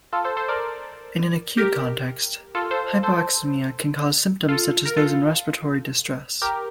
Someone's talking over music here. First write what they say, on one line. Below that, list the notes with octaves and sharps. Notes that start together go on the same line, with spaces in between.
In an acute context, hypoxemia can cause symptoms such as those in respiratory distress.
F4 A4
A4 C5
A4 C5
A#4 D5
G4 A#4
F4 A4
A4 C5
A4 C5
F4 A4
A#4
F4 A4
G4 A#4